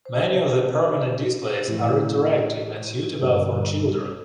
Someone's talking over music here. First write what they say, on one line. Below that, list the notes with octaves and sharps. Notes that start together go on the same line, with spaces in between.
Many of the permanent displays are interactive and suitable for children.
C5
A2 E3
G2 D3 G3